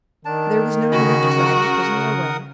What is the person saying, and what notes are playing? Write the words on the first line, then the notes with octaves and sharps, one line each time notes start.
There was no need to drag the prisoner away.
D#3 D4 A5
C#3 F#4 D#5 G#5 B5
A#4 F#5 D#6